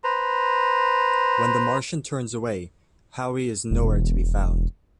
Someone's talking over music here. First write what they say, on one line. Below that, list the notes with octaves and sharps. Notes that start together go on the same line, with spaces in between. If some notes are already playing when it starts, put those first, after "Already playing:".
When the Martian turns away, Howe is nowhere to be found.
B4 C5 A#5
E1